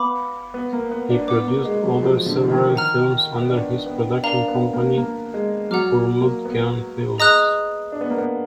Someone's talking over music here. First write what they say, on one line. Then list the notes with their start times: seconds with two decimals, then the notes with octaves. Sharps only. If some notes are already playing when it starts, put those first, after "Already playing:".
He produced other several films under his production company Curmudgeon Films.
Already playing: B3 F5 B5 D6
0.54 B3
0.73 A#3
0.91 B3
1.10 D4
1.28 B3 D5 F#5 D6
1.47 A#3
1.65 G#3
1.83 F#3
2.02 F3
2.26 D3
2.43 F3
2.51 D#3
2.76 F#5 A#5 F6
3.42 B3
3.50 D4
3.86 B3
4.23 D4 A#4 F5 A#5
4.48 B3
4.73 A#3
4.97 A#3
5.34 G#3
5.71 F#3 D5 F#5 A#5 D6 F6
6.20 A#3
6.45 B3
7.18 G#4 D#5 A#5 D#6 F#6
7.92 D4
8.01 B3
8.10 A#3
8.18 B3